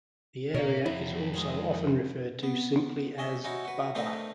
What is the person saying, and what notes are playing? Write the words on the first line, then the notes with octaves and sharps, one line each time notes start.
The area is also often referred to simply as "Baba".
B2 A#4 C#5 F5
F2 E4 E5
D#3 G#3
B3
C#4 D#5 E5
C#4 D#4 E4 F#4
F#4 B4
A3 C4 D4 D#4 A#4 B4